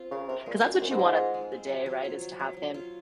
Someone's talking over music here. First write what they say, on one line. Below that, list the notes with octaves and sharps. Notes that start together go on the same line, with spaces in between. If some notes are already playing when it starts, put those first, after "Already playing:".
'Cause that's what you want at the day, right? Is to have him
Already playing: C4 F4
C#3 A#4
C3 A#4
A#2 G#3
F#2 F4
F#2 C4
G#2
G#3
F4
G#3
C4
F#3
F#3
F4
F#3
F#3
F#3
F4